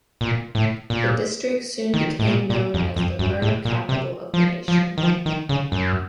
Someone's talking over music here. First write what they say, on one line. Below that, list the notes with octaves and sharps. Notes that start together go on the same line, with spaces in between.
The District soon became known as the "murder capital" of the nation.
A#2
A2
A#2
D#3
A2
A#2
A#2
F2
F2
F#2
A2
A#2
C3
F3
F3
D#3
F3
D#3
C#3
F#2